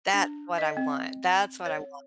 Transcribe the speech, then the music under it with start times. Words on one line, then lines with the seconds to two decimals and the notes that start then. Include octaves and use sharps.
That's what I want, that's what I want,
0.14 D4
0.58 D#5
0.77 C4
1.66 C#5